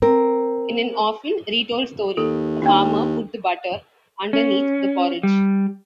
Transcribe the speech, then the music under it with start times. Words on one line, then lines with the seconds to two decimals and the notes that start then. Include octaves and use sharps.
In an often retold story, a farmer put the butter "underneath" the porridge.
0.02 C4 A#4
2.17 D#2 A4
2.62 D#2 D4 F#4
4.33 C#4
5.23 G3